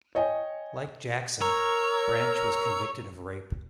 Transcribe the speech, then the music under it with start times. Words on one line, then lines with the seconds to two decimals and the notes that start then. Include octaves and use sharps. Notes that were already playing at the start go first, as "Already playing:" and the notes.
Like Jackson, Branch was convicted of rape.
0.15 C#5 D#5 G5 G#5
1.41 A#4 C#5 A#5 E6